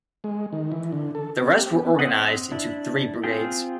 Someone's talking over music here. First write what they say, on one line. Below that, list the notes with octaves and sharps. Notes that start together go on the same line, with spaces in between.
The rest were organized into three brigades.
G#3
D#3
E3
D3
A4
C4
G4
B3
C4 D#5 F#5
D4 E4
C4 F4 G#4 G5